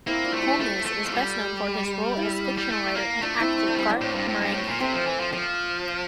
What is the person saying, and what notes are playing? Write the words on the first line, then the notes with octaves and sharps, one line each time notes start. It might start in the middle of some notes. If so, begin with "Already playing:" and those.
Holness is best known for his role as fictional writer and actor Garth Marenghi.
A#3 C4 E4
D4 F4
A3
E4 G4
A3 F4 A4
A3
F3
G3 F4 A4
E4 G4
G3
A3
A#3
A3 D4 F4
C4 E4
E4
D4
G3 C4
A#3 D4
A2
G2
A2
G2
A2
A#2
C3 A3 C4
F3
E3
F3
F3 A#3